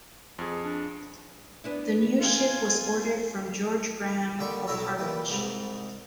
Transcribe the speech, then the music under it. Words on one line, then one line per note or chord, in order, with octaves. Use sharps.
The new ship was ordered from George Graham of Harwich.
F2 G#4
D4
B3 D4 E4
F4 G#5
D#2 D3 G3 G5 C6 C#6
B1 F#3 E4 A4 C#5 A#5
A#2 E3 G3
C2 G#2